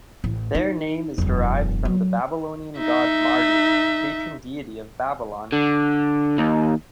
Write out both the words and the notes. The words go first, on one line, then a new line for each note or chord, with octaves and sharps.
Their name is derived from the Babylonian god Marduk, patron deity of Babylon.
A1
D#4
E1 F#2
F#3
D#4 E5
D3
D#2